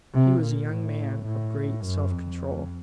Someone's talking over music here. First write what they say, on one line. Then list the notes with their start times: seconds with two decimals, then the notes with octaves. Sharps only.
He was a young man of great self-control.
0.14 C3
0.42 A#2
0.70 A2
1.26 A2
1.82 F#2
2.11 F2